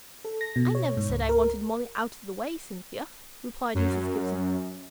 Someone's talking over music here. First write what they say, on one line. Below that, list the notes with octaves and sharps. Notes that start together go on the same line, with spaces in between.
"I never said I wanted Molly out of the way, Cynthia," replied Mrs. Gibson.
A4
A#6
B2
C#5
G#2
C#2
A#4
F#2